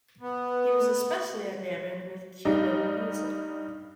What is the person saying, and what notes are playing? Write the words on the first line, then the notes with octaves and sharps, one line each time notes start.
He was especially enamored with Cuban music.
B3
G2 G3 D#4